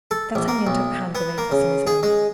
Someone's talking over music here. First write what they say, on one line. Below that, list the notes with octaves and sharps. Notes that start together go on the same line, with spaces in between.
D'Artagnan took the hands of Athos in his own.
A4
A#1
A#3
B1
B3
A#3
C#3
G#4
G#3